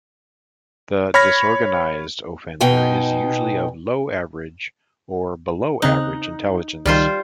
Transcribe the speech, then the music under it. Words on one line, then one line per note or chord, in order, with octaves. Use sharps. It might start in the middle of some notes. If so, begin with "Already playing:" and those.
The disorganized offender is usually of low-average or below average intelligence.
C#5 B5 F6 G#6 A#6
B2 D#4 G5 G#5
C#3 C4 D#4 F#6
C#2 D#3 G3 D#4 F4 C5